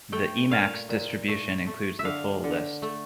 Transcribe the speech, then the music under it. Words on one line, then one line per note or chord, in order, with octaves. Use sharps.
The Emacs distribution includes the full list.
A3 G5
A#2 F5
A#2
A3
A3
E5
D3 F5
D3
A3